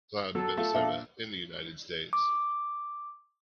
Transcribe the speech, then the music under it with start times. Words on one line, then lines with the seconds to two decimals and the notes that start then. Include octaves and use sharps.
Cloud, Minnesota, in the United States.
0.35 F#3 A4
0.58 A3 F4
0.75 A#2 D4 E5 F5
2.13 D6